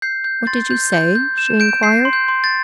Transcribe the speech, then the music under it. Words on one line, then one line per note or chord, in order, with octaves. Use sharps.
"What did you say?" she inquired.
G6 C7
G6
C6 A6
G6
G6
G6
G6 E7
G6 D7
G6 C7
C6
G6
C6
A6